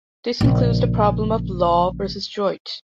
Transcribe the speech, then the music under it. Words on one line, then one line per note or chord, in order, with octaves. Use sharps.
This includes the problem of "law" versus "droit".
A#1 C#3